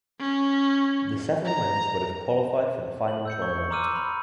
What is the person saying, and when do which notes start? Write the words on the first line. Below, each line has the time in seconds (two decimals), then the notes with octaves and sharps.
The seven winners would have qualified for the final tournament.
0.20 C#4
1.45 A#5
3.08 F#7
3.25 E6 G6 C#7
3.42 C#6 G#6
3.70 A#5 C6 D6 E6 F6 D#7
3.96 B5